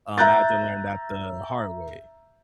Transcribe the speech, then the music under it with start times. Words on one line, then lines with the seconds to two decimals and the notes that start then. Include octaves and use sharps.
um, I had to learn that the hard way.
0.18 E5 A#5 F#6 G6 A6